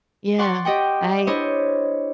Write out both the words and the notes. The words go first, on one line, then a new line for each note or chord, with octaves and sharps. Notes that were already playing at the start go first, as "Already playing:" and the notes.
Yeah, I
D5 F#5 C6 C#6
G4 D#5 F#5 G5
D4 E4 C5 C#5 D#5